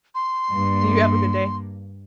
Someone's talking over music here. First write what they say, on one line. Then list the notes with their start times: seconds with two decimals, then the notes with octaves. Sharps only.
You have a good day.
0.15 C6
0.51 G2 A#3